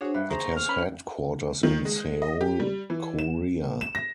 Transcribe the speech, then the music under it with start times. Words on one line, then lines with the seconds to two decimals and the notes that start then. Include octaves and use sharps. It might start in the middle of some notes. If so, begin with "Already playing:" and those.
It has headquarters in Seoul, Korea.
0.01 D4 F#4 G#4 C5 C#5
0.14 G2 E5 F#5
0.30 G#4 C5 A#5 C#6
0.57 F6
0.68 C#4 B4 B5
1.63 D#3
1.85 G#3
2.22 D#5
2.41 G4
2.60 G3
2.90 E3
3.19 E7
3.81 E7
3.95 A#6